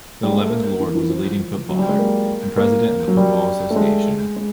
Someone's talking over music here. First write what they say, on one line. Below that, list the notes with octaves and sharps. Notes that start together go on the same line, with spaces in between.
The eleventh Lord was a leading footballer and President of The Football Association.
G3
G#3
A3
A#3
A#3
E3
E3
F3
F#3
G3
G#3
A#3
A#3
F#3
G3
A3
G#3
G#3